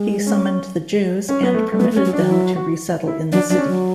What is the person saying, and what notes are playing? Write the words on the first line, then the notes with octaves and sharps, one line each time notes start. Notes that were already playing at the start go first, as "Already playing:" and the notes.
He summoned the Jews and permitted them to resettle in the city.
Already playing: G#3
C#4
C#4
B3
A3
A3
F#3 B3
A3
C#4
F#3
D4
F#3
E4
F#4
E4
F#3 D4
F#3 D4
C#4
F#3